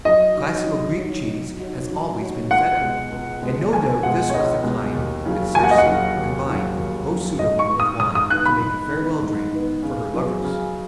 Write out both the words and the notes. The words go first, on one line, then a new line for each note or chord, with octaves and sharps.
The classical Greek cheese has always been Feta, and no doubt this was the kind that Circe combined most suitably with wine to make a farewell drink for her lovers.
F#3 D#5
D#4 F#4 C#5
F#3
D#4 F#4 C#5
F#3
D#4 F#4 C#5
F#3
D#4 F#4 C#5
C#2 F#5
B2 G#3
C#2
B2 G#3
C#2 G#5
B2 G#3 F#5
C#5
C#2 D#5
B2 G#3
D#2
C#3 F#3 C#4
D#2 G#5
F#5
D#5
F#5
C#3 F#3 C#4
D#2
C#3 F#3 C#4
D#2
C#3 F#3 C#4
G#2 D#5
C#6
D#3 B3
D#6
G#2 D#6
D#6
D#3 B3 F#6
B5
G#2
D#3 B3
G#2
D#3 B3
C#3
F#3 B3 G#4
C#3